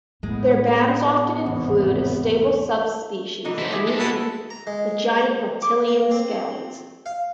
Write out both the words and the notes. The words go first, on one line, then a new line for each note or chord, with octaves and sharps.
Their bands often include a stable sub-species of mutant, the giant reptilian Scalies.
A2 G#3 B3
G#1 E2 C3
D3 E3 D#4
F3 E4
G4 G#4 E5
G#3 A4
B3 E4 F#4 B4 A5
A#5
G#3
D6
A#3
C4
F5